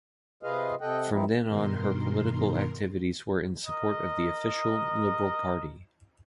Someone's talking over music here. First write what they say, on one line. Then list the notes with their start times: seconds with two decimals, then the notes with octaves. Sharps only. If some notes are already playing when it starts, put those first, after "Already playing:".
From then on her political activities were in support of the official Liberal Party.
0.43 C3 F4 G#4 B4 D#5 F5
0.81 C3 A4 D#5 F#5 G5
1.11 F#2 E3 F3 C4 D#4 E4
1.47 G2 B2 D#3 A#4 C6
3.66 A#4 D#5